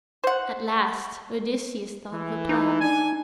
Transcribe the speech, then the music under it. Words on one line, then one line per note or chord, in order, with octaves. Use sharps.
At last Odysseus thought of a plan.
C5 F#5
E3
D#4
D4 G#5